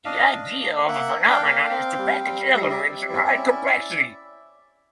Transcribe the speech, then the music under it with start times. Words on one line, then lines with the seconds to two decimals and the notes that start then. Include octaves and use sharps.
The idea of a Phenomenon is to package elements and hide complexity.
0.05 D4 D#5 F5
0.32 D4
0.60 A#3
0.87 A#3 E5 F#5
1.15 D4
1.29 F5 G5
1.43 A#3
1.70 C4
1.98 G3
2.26 G3
2.53 G3 E5
2.61 D#5
2.70 D5 E5
2.81 C4
3.09 E4
3.36 C#4